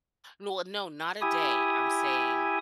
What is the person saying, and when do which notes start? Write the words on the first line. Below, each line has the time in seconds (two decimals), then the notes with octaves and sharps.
No a no not a day, I'm saying
1.21 E4 G4 G#5 D#6